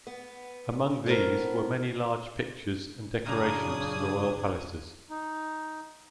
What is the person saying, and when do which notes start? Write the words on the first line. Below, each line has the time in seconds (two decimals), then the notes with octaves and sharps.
Among these were many large pictures and decorations for the royal palaces.
0.07 B3
1.06 A2 B3 C4 A#4
3.26 F#2 A#2 C#3 D4 A#5 D#6 G#6
5.10 D#4